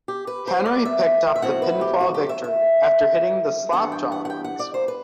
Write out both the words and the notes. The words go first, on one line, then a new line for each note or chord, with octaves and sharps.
Henry picked up the pinfall victory after hitting the Slop Drop on Skull.
G4
B4
C5
D5
E5
E5
B2 F#3 A3 C4 E4 F#5
B4
G4
F#4
G4
E5
E5
G2 E3 B3 D4 F#5
G5
F#5
F#5
G5
F#5
D5
C5
B4